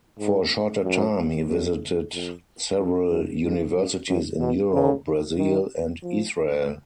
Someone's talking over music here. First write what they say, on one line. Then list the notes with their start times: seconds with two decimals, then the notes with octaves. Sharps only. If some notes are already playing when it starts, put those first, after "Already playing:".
For a shorter time, he visited several universities in Europe, Brazil and Israel.
0.19 G#2
0.84 F#2
1.49 F#2
2.14 F2
2.78 F2
3.11 F#2
3.43 G#2
3.76 F#2
4.09 F#2
4.40 B2
4.73 C#3
5.38 D#3
6.02 F3